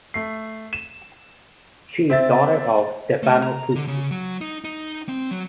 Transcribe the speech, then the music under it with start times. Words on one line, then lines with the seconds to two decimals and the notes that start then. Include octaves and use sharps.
She is daughter of Stefano Pucci.
0.14 A3 C7
0.73 E7
2.10 C4 E5 A6
3.23 A3
3.43 A#5
3.76 D3
3.88 C#3
4.11 F#3
4.41 D#4
4.64 D#4
5.09 C4
5.31 F#3